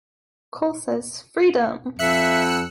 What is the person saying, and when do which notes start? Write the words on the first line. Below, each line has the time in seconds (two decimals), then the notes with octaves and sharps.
Cole says, Freedom!
1.99 F2 E5 E6 F#6 C#7